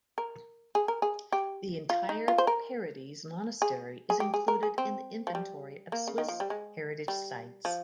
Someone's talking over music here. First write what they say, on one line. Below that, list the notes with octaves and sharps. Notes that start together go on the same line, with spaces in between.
The entire "Paradies" monastery is included in the Inventory of Swiss Heritage Sites.
A#4
G#4
A#4
G#4
G4
F4
D#4
F4
C5
A#4
G#4
G#4
G4
G#4
A#4
G#4
C4
F3
G3
A#3
C#3
D#3
F3
G3
G#3
G3
F3